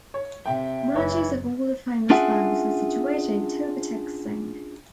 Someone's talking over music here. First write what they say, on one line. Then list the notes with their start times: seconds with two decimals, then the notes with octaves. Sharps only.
Branches of all the famous banks are situated Toba Tek Singh.
0.14 C#5
0.46 C3 E5 G5
0.96 F#1 E3 C#5
2.10 C#4 D4 F4 G#4 E5 F#5